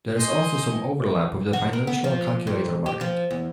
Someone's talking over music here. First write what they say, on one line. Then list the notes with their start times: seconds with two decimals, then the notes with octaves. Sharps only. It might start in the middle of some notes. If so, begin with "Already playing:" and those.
There is also some overlap with the financial calculator market.
0.18 C5 D#5 G#5
1.53 F#4
1.73 A#4
1.87 B3
2.04 F3
2.47 F2
2.86 G4
3.01 F3
3.31 E2